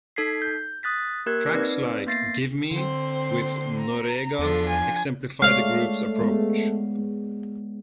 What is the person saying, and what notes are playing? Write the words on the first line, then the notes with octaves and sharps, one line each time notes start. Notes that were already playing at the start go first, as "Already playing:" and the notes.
Tracks like "Give Me", with Noreaga exemplify the group's approach.
D#4 A4 G#6 B6 C7
G6
D#6 F#6 A6 B6
A#3 G4 A#4 F#6 G#6
C4 D#4 B4 D5
A#3 B3 A6 A#6 C7
D3 C4 C6
A#5
E2 F3 D4 F4 A4
G#5
G#3 A3 C#5 D5 F5
G#3 B3